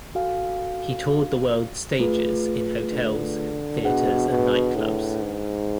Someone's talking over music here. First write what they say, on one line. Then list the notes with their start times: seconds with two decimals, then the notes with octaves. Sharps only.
He toured the world's stages in hotels, theaters and nightclubs.
0.15 F#4 A4 F5 G#5
1.99 A3 F4 G#4 B4
2.92 D3
3.83 B2 D4 G#4 B4 F#5
4.30 B2
4.76 A2
5.22 G#2